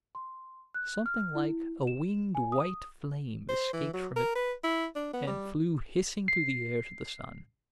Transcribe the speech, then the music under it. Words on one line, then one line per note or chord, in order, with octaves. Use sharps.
Something like a winged white flame escaped from it, and flew hissing through the air to the sun.
C6
F#6
F6
E4
E7
G#5
D#6
C5
E3
F#3
A#4
B4
E4
D4
B3
G3
C7